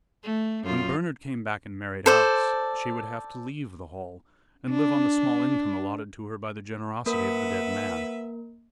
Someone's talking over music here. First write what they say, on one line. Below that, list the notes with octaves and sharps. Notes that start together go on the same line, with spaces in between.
When Bernard came back and married Alice, she would have to leave the Hall and live on the small income allotted to her by the generosity of the dead man.
A3
F#2 F4
A4 C5 D5
D4
A#3 A#4 B4 E5 F#5